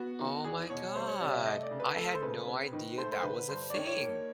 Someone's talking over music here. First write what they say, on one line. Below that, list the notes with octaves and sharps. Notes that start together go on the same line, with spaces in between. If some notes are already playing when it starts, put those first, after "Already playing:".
Oh my god. I had no idea that was a thing!
Already playing: B3 F#4
D#3
E2 G#4
B2 C#5
G3 C5
C#5
C3 D5
E5
A3 D#5
D5
C#3
B4
A3 A4
C5
C#3 B4
C4
D#3
A3 C5
C5
D3 B4
G2 C5
D5
D#3 C#5
C#5
A#3